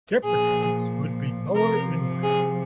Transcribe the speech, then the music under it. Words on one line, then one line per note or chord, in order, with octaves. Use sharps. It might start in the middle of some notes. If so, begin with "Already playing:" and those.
Temperatures would be lower inland.
A#2 F3 G#4
C3 F3 A#4
G#4